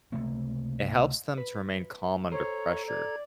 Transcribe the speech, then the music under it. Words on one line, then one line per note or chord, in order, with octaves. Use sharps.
it helps them to remain calm under pressure,
C#2 C3 A3 A#3
B4
A4 C5 C#5 A#5
D5 G#6